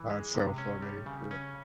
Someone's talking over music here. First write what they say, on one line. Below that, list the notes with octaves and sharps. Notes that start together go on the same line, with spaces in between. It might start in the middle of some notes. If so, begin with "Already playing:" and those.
That's so funny, yeah.
Already playing: E3
G#3
C3
C#4
G3
C#3
C#4